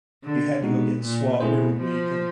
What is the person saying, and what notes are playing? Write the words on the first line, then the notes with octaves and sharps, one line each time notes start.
you had to go get swabbed every week and
D3
B2 G#3 B3 D#4 F#4
A#2
B2 A3 C4 E4 G#4 C5
F3